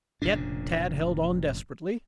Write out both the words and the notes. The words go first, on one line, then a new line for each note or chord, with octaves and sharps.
Yet Tad held on desperately.
F1 A#2 C#3 D4